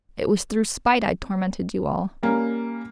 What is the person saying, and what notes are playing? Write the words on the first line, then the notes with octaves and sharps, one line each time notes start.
It was through spite I tormented you all.
G3 A#3 C#4